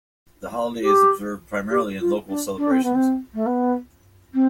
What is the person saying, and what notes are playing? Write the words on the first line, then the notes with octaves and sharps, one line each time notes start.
The holiday is observed primarily in local celebrations.
G4
G4
F4
D4
D4
C4
B3
C4
A3
B3
C4